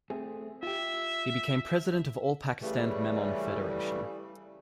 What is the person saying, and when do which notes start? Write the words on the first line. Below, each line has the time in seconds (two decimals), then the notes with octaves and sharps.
He became President of All Pakistan Memon Federation.
0.10 A3 C4 G#4
0.63 F4 G4 E5
2.62 C#3 E3 G3 A3